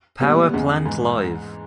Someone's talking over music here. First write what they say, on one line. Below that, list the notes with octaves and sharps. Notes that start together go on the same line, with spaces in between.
Power Plant Live!
A#2 G3 B3
E2 C#3 G#3
G#2 E3 G#3